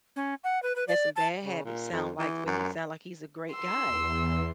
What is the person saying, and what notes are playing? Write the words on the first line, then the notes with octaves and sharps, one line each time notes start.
Had some bad habits sound like, but he sound like he's a great guy.
C#4
F#5
B4
B4
D5
A5
C#3
A#2
F2
E3
F#2
C6 E6
E2